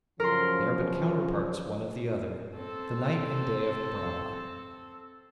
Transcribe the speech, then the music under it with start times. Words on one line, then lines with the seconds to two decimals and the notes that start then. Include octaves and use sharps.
They are but counterparts one of the other,--The Night and Day of Brahma.
0.20 F#2 C#3 F3 A#4 C6
2.55 C4 A4